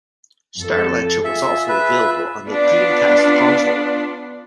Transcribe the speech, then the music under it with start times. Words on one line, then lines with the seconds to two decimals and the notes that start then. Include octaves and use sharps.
"Starlancer" was also available on the Dreamcast console.
0.60 F2 A4
1.24 F4 G#4 E5
1.69 B4 E5
2.47 B3 D4 F4